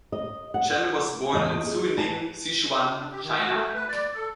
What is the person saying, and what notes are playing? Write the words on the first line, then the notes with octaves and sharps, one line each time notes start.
Chen was born in Suining, Sichuan, China.
D#5
F#5
E2 D#5 A5
G#4
G#5 A5
D4
G4
D#3
F#4
A3
B4
D5
A4